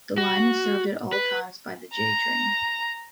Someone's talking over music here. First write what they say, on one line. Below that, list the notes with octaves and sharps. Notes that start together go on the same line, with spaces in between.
The line is served at all times by the J train.
F#4
B4
A#5